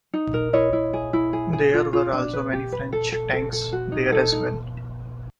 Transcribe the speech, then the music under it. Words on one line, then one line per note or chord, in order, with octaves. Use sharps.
There were also many French tanks there as well.
D#4
A#4
E4 C#5 D#5
E4
G#4
E4
G#4
G#4
F4
F4
D4
B4
G4
B4
A4
A4
A4
A4
F#4
D#4
A4
D#4